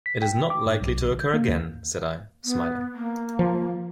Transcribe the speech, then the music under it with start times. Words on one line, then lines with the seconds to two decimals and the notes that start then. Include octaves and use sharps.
"It is not likely to occur again," said I, smiling.
0.06 B6
0.22 G5
0.50 D6
0.66 G#2
0.81 B1
1.01 G#1
1.20 G6
1.34 A#3
1.48 D#2
2.44 B3
2.95 A#3
3.39 F3